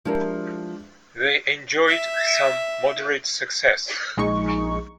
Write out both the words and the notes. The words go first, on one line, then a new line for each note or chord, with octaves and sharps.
They enjoyed some moderate success.
F3 G#3 D4 E4 G4 A#4
E5
A#1 G#3 D#4 C#6